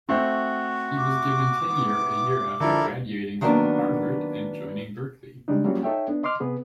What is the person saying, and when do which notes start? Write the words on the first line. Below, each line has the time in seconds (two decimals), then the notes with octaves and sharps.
He was given tenure a year after graduating from Harvard and joining Berkeley.
0.09 A3 C4 F#4
0.98 D6
1.68 B3
2.60 D3 F3 E4 A4 A#4
3.41 D#3 F#3 G3 A#3 B3 D4
5.48 C#3 G3 G#3 D4 D#4
5.64 F#3 G3 A#3 C#4 F4 F#4
5.83 D#4 A4 C#5 E5 G5
6.08 B3 D4
6.23 D#5 C6 D6 F6
6.40 C3 B3 G#4